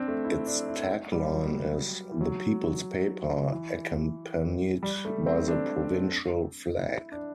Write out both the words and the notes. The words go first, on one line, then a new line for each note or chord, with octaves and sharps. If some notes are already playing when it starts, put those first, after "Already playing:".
Its tagline is "The People's Paper", accompanied by the provincial flag.
Already playing: C4 D4
A3
E4
D4
E4
G3
F#3
E3
F#3
E3
G3
A3
C4
D4
E4
D4